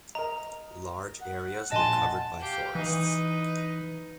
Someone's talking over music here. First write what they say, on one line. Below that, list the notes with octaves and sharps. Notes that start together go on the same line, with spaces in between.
Large areas were covered by forests.
A#4 D#5 A#5
F#5
A#1 D#5 G#5 A5 C6
G4 F5
E3 D#4 B4